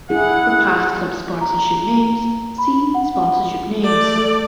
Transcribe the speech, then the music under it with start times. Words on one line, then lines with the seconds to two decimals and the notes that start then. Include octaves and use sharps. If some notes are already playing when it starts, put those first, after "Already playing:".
For past club sponsorship names, see sponsorship names.
0.10 E4 G#4 F#5
1.41 A#5
2.58 B5
2.94 F#5
3.83 A3 D5